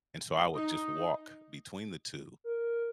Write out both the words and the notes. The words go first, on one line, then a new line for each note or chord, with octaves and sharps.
and so I would just walk between the two,
D#4
A#4